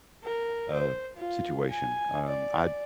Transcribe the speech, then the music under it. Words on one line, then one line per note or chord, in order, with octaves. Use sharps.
uh, situation. Um, I
A#4
C5
F4
G#5
D5